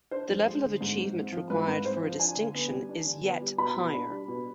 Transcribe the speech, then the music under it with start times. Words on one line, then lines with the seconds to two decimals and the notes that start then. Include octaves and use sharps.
The level of achievement required for a distinction is yet higher.
0.11 D4 C5
0.29 F2
0.46 G#3
0.63 D3
0.81 G#2
0.98 G#2
1.16 C4
1.32 F3
1.50 G#2 B4
1.68 G#2
1.85 C4 C5
2.03 F3
2.20 D4 G#5
2.37 D3
2.55 B3
2.72 G3
2.89 D4
3.06 D3
3.23 B3
3.41 G3
3.58 B2 B5
3.76 B2
3.93 D4
4.10 G3
4.28 B2